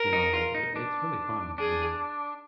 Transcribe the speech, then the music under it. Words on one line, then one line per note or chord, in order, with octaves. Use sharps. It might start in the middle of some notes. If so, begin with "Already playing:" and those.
you know, like, i it's really fun, you know?
Already playing: A#4
D#4
F4
D#4
D4
D4 G#4